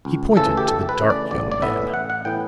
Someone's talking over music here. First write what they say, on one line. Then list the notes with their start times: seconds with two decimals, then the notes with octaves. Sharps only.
He pointed to the dark young man.
0.05 C#2
0.37 C#3 E3 A3 A4
0.57 G4
0.68 C#2 A4
0.89 B4
1.00 C#3 E3 A3
1.10 D5
1.31 A1 D5
1.52 D5
1.62 A2 E3 B3 E4 E5
1.94 A1 F#5
2.10 F#5
2.25 A2 E3 B3 E4 G5